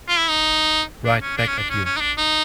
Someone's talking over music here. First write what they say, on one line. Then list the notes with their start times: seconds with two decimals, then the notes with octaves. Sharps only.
Right back at you.
0.08 F4
0.18 E4
0.29 D#4
1.04 D4
1.21 C#4
1.37 D4
1.48 C#4
1.58 D4
1.70 C#4
1.85 C#4
1.96 D#4
2.01 D4
2.17 D#4